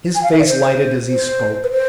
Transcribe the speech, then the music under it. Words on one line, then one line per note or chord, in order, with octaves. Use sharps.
His face lighted as he spoke.
G#5
F5
E5
D5
C5
C5
B4
C5